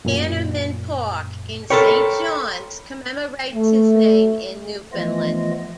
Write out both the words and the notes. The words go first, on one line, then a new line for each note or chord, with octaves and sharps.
Bannerman Park in Saint John's commemorates his name in Newfoundland.
F#2 A#2
A4 A#4 C#5 G5 B5 C6
A3
E3 F3 A3 B3 F4 D#5